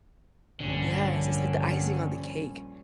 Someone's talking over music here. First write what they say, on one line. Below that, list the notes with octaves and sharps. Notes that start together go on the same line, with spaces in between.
Yes, it's like the icing on the cake
A#1 G2 D3 C#4